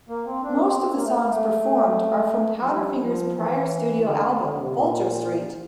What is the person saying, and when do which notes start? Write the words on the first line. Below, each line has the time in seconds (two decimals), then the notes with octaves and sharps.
Most of the songs performed are from Powderfinger's prior studio album; "Vulture Street".
0.09 A#3
0.26 C4
0.43 D4
0.52 A#3
0.60 C4
0.95 A#3
1.05 A3
1.15 A#3
1.29 A3
2.61 F3
2.67 G3
3.02 F3
3.36 E3
4.05 D3
4.40 D3
4.57 C3
4.74 A#2